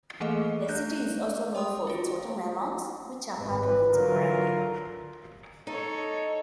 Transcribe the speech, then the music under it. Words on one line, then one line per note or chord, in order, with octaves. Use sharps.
The city is also known for its watermelons, which are part of its branding.
E3 A3 A#3 G#4 A4 D#5
A3 D4 F#6 G6
C#5 G5 C6 D#6
F4 F#4
G#1 B4
D3 F#3 F4 A#4
D#4 A4 C#5